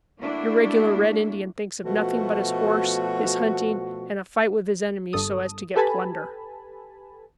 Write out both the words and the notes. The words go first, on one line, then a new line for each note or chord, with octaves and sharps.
Your regular Red Indian thinks of nothing but his horse, his hunting, and a fight with his enemies so as to get plunder.
A3 A#3 D4 E4 F#4
B2 F3 A3 F#4
G1 G2 A4 D#6
G4 A4 B4 G#5 A5 B5